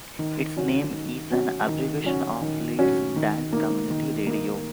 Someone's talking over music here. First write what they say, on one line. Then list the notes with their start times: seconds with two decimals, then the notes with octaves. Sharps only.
Its name is an abbreviation of Leeds Dance Community Radio.
0.19 D#3
0.56 F#3 C#4 F#4
0.93 D#3
1.30 F#3 C#4 F#4
1.67 D#3
2.05 F#3 C#4 F#4
2.42 D#3
2.79 F#3 C#4 F#4
3.16 D#3
3.53 A#3 D#4
3.90 D#3
4.27 A#3 D#4